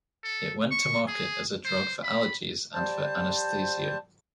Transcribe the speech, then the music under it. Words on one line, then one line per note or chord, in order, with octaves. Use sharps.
It went to market as a drug for allergies and for anesthesia.
A4
C#6
G#4
C5
B5
G3 C5 A5